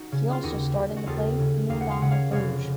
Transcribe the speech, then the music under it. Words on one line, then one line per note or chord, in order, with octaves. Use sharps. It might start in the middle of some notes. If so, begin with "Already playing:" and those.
He also starred in the play "Moulin Rouge".
Already playing: D#4 F#4
C#3
F4
D#2 D#4 F#4
C#3
F#4
D#2 F4 A4
C#3
D#2 F5
F#5
F5
C#3 F#5
C#5 F5
F1 C#5 F5